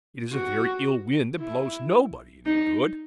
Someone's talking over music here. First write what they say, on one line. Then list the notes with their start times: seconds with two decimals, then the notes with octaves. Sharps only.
It is a very ill wind that blows nobody any good.
0.33 F#4
1.39 E4
2.46 D#4